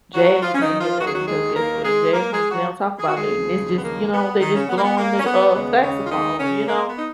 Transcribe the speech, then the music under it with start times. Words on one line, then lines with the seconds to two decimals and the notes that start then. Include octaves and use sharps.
Jazz, you can't hear nothing because guess what? In jazz music, they don't talk about nothing. It's just, you know, they just blowing the, uh, saxophone, you know,
0.14 F#3 F#4
0.42 F3 F4
0.55 C#4
0.61 D#3 D#4
0.80 F3 F4
0.99 D#2 D#3 F#3 F#4
1.07 G#4
1.15 F#3 F#4
1.28 G#3 G#4
1.56 A#3 A#4
1.84 G#3 G#4
2.13 A#3 A#4
2.32 G#3 G#4
2.51 F#3 F#4
2.99 G#4
3.08 F#4
3.16 G#3 G#4
3.27 D#2 C#3 F3 G#3
3.77 B3
3.84 A#3
4.13 B3
4.41 D#3 D#4
4.55 C#3 C#4
4.69 B3
4.78 A#3
4.83 B3
4.98 A#3
5.20 C#4
5.26 B3
5.54 D#2 C#3 G#3 B3
5.82 C#3 C#4
6.05 F4
6.11 D#3 D#4
6.40 C#3 C#4
6.68 A#3
6.87 B3
6.98 D#4